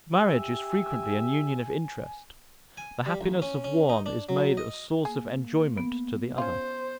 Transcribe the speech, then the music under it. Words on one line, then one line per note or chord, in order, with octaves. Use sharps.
Marriage is frequently an union of interest: the happiness of one is made a source of enjoyment to the other.
G4 E5 G#5
G#5
G3
A1
C#4
C#4
D#4
D4
F#3
D#5
A#3 G#4
B3
C#4 F4 C5